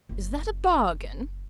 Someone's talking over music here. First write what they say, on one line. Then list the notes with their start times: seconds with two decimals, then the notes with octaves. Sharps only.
Is that a bargain?'
0.09 F#1